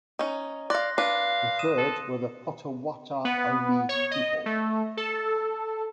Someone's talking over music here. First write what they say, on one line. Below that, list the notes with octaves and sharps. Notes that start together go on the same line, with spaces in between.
The third were the Potawatomi people.
C#4 D#4
D5 F5 C6 F#6 A#6
D4 B4 F5
D#6 D#7 E7
A4
B3
C#5
D#5
A3
A4